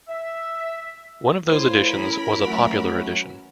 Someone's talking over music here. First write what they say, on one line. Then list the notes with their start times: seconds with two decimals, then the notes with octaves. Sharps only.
One of those editions was a Popular edition.
0.08 E5
1.46 A2 E4 F4 C5
1.88 E3 C#4 A#4 B5
2.47 F#3 A3